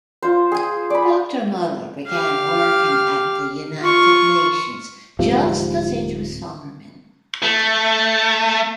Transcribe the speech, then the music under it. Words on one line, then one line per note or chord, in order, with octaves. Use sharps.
Doctor Muller began working at the United Nations just as it was forming.
F4 C5
G#4 G#5
D5 B5
G4 F5
F4 C#6
D1 G#2 C3 F3
A3